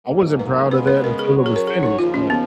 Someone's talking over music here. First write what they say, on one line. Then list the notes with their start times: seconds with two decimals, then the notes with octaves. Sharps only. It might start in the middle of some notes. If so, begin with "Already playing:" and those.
I wasn't proud of that until it was finished, like
0.08 G#2 F#3 A#3
0.39 B4
0.71 C#3 G#3 B3 B4
0.87 B4
1.04 A#4
1.19 G#4
1.35 F#3 C#4 F#4 C#5
1.46 G#4
1.56 A#4
1.67 G#4
1.83 D#4
1.99 D#2 C#3 F3 F4
2.14 C#4
2.30 B3